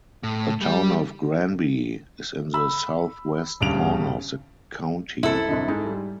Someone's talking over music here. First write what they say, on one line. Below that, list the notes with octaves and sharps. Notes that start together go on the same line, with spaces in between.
The Town of Granby is in the southwest corner of the county.
A2
G3
B5 E6
D#1 D2 G2 C#3 D7 F7
C2 F#2 E4 A4
C2 F#2 D3 D#5
G#2 G#3 D#4
G3